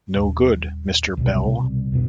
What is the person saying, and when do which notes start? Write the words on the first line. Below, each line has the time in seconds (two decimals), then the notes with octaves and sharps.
No good, Mr. Bell.
0.15 D#1
1.17 C2 B2 G3
1.92 F2 B2 B3